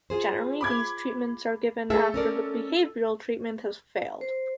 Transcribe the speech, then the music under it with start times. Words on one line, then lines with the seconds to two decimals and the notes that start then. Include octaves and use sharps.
Generally, these treatments are given after the behavioral treatment has failed.
0.10 F4 G#4 C5
0.61 B5 D6 G#6
1.90 A3 G#4 A4 E5
2.14 C#4 A#4 D5
4.21 C5